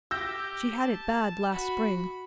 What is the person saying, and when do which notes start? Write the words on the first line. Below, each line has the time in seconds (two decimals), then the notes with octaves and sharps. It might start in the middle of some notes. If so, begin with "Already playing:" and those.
She had it bad last spring.
0.11 G4 E6 G6 A#6
0.77 A5
1.52 F#4 B5